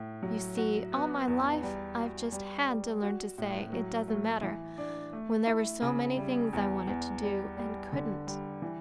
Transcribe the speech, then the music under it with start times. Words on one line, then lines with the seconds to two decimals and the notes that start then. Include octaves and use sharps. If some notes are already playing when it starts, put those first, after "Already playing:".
You see--all my life I've just HAD to learn to say 'It doesn't matter,' when there were so many things I wanted to do, and couldn't.
Already playing: A2
0.23 F#3
0.57 F#4
0.92 B3
1.27 E2
1.63 G3
1.97 F#4
2.32 G3
2.68 G3
3.02 F#4
3.38 A2
3.73 F#3
4.08 A3
4.43 E3
4.78 D4
5.13 A3
5.47 E4
5.82 C#3
6.17 G3
6.53 E2
6.87 E2
7.22 G3
7.57 G3
7.92 D3
8.27 G3
8.62 E3